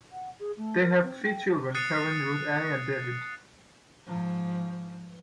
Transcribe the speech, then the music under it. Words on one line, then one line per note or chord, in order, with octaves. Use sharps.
They have three children: Karen, Ruth Anne, and David.
F#5
G#4
A3
A#4
C4
G5
D#6 F#6 A6 C7 C#7 D#7
G#2 F3